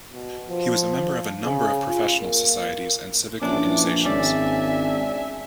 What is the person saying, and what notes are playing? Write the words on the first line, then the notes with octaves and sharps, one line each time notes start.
He was a member of a number of professional societies, and civic organizations.
B2
F3
C#3
F4
A#3
A#1 E3 C#4 D4 D6
G#1 C#3 C#4 D4 D5 E5 G#5